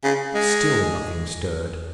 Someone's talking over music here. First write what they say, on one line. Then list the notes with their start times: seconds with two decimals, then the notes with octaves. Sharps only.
Still nothing stirred.
0.04 C#3
0.34 G#3